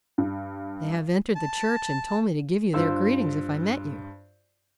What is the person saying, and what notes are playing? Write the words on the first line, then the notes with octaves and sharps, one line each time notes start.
They have entered the church, and told me to give you their greetings if I met you.'
G2
A5
G2 F4 C5 E6